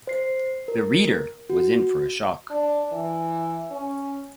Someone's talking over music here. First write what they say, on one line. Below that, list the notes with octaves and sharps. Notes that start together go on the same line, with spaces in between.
The reader was in for a shock.
C5 C7
A#4
F#4
D4
E3
C#4